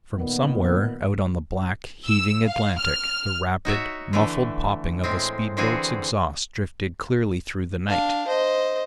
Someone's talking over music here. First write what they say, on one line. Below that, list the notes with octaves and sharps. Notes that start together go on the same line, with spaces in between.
From somewhere out on the black, heaving Atlantic, the rapid, muffled popping of a speed-boat's exhaust drifted clearly through the night.
A#2 D#3 B3
E6
F5
F6
D#4 F#4 C#5 E5
D3 E3 A3
A2 G#3 C4
D3 E3 C4 F#4 G#4
D4 F5
C5 D#5